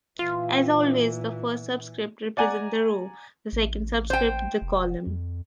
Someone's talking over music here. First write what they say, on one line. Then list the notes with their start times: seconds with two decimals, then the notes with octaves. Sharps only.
As always, the first subscript represents the row, the second subscript the column.
0.19 A#2 E3 F4
2.37 D5 F#5 G#5 A#5
3.52 A1
4.10 C5 G5
4.61 F1
5.06 F2